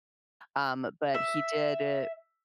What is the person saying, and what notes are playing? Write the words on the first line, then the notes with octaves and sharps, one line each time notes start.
um, but he did, uh,
E5